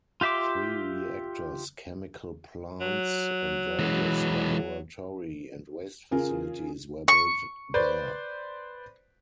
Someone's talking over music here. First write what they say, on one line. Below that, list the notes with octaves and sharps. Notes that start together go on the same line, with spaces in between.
Three reactors, chemical plants and various laboratory and waste facilities were built there.
F4 G4 E5 C6 D6
F#3
E3 G#3
C#3 F4 G#4 A#4
C#6
B4 C5 D5